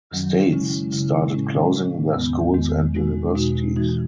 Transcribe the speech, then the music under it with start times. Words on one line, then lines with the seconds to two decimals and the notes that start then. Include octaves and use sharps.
States started closing their schools and universities.
0.12 F#2 D#3 F#3 C#4
0.52 C#3 G#3 C#4 E4
0.92 C#3 G#3 C#4 E4
1.33 A2 G#3 C#4
1.73 A2 G#3 C#4
2.14 E2 D#3 G#3 B3
2.54 E2 D#3 G#3 B3
2.95 E2 B2 G#3 D#4 F#4
3.35 E2 B2 G#3 D#4 F#4
3.76 E3 G#3 D#4 F#4